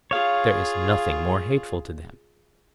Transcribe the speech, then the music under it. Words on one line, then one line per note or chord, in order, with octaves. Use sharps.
There is nothing more hateful to them.
F4 G#4 C#5 F5